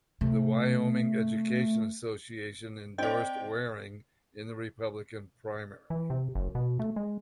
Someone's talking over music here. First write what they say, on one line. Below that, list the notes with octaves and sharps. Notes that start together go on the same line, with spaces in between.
The Wyoming Education Association endorsed Waring in the Republican primary.
C3 A3
C4 C5 D5 D#5 G5
E3
C3
F#1
B2
A3
G#3